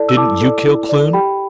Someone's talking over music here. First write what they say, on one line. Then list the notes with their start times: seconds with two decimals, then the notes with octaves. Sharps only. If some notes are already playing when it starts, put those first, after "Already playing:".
"Didn't you kill Kloon?"
Already playing: E4 A4 D5 A5
0.09 E6
0.17 E4 A5 D6
0.41 A4 D5
0.65 E4
0.89 A4 D5
1.13 G4 G5 B5